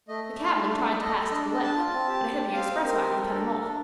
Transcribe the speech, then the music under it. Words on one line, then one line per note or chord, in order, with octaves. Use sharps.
The cabman tried to pass to the left, but a heavy express wagon cut him off.
A3 D#5
A3
D#4 D5
A3
D4 D5
A4
A4 D#5
A4
D4 D#5
D5
D4 D#5
D4 A5
F4
C4
G4
G4
G4
C4 F5
C4
C4 A#4
G4
A4
D4
A4
D4